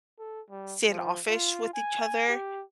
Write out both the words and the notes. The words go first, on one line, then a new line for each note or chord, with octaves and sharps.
standoffish with each other,
A4
G3
F3
F4
G#5
G4